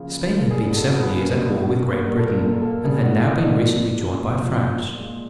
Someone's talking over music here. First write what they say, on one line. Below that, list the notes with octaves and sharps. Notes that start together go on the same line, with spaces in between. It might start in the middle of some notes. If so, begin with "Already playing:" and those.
Spain had been several years at war with Great Britain, and had now been recently joined by France.
Already playing: C#3 F3 A#3
C#3
A#3
G3 G#4
B2
A4
B2
B4
A#3
G3
B2
B2
A#3
G3 A#4
A4
A#2 A#4
A#2 A4
A#4
A#3 A4
G3 G#4
A#2 F#4
A#2
D#4
A#3 D4
F3
A#2
A#2
G#3
F3
A#2
A#2
G#3